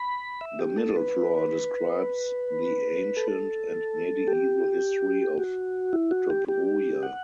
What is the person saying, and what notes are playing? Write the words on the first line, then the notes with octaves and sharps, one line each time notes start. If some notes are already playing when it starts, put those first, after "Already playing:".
The middle floor describes the ancient and medieval history of Dobruja.
Already playing: B5
E5
G4
A4
B4
A4
G4
F#4
E4
F#4
G4
G4
F#5